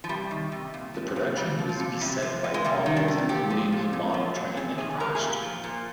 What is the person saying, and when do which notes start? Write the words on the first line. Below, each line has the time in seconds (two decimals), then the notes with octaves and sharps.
The production was beset by problems including a model train that crashed.
0.04 F3
0.09 C3 G3
0.31 D#3
0.52 C3
0.74 A#2
0.94 F3
1.16 A#2
1.37 A#2 G3
1.59 F3
1.69 F3
1.80 A#2
2.01 C3 G3
2.22 F3
2.44 C3
2.54 G#3
2.65 C3 A#3
2.86 D#3
2.96 D4
3.08 C3
3.29 A#2 G4
3.50 F3
3.72 A#2
3.93 A#2
4.14 F3
4.36 A#2
4.57 C3 G#4
4.78 D#3 G#4
5.00 C3 A#4
5.15 G#4
5.21 A#2 G4
5.42 F3
5.64 A#2